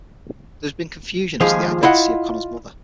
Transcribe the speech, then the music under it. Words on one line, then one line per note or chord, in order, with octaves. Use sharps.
There's been confusion as to the identity of Connor's mother.
D#2 F3 G#3 F4 G#4
E4 F4 D#5 F#5